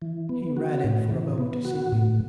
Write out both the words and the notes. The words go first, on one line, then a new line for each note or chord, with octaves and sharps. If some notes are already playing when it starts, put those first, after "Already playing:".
'He ran in for a moment to see me....
E3
B3
F#4
A2
E3
B3
F#4
A2